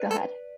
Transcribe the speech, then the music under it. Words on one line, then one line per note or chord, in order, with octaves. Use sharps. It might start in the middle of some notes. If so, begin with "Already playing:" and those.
Go ahead.
Already playing: B4 D5
A4